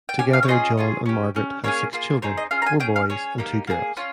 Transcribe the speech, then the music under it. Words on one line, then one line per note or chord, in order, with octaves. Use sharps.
Together John and Margaret had six children, four boys and two girls.
G5
C#4 G4 G#5
F5
C#5
C#4 F4 G#4 D#5
C#4 F4 G#4
C#4 G4
C#4 G4
A#3 C#4 G#4 C#5
A#3 F4 G#4
C4 D#4 G#4 C#5
D#5
C#4 F4 G#4 F5
A#5
G#5
C#4 G#4 G5
F5
C#4 G#4 C#5
A#3 D#4 G4
A#3 F4 G#4
C#4 F4